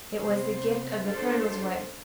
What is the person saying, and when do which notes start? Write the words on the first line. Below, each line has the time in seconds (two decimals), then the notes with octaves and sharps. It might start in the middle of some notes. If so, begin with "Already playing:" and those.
It was the gift of the colonel's wife.
0.21 C3 B3 C5
1.06 D4 F4 G4 A4 C5